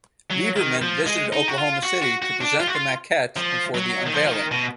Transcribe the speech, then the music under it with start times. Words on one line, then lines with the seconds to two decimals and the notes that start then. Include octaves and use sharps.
Liberman visited Oklahoma City to present the maquette and for the unveiling.
0.30 F#3
0.56 D#3
0.82 F3
1.06 G#3
1.33 D#4
1.48 F#4
1.58 F4
1.83 F#4
2.02 F#4
2.22 F#4
2.41 D4
2.60 F4
2.67 F#4
2.75 F4
3.37 F3
3.75 F#3
4.07 D#3
4.13 F3
4.26 F3
4.31 D#3
4.52 B2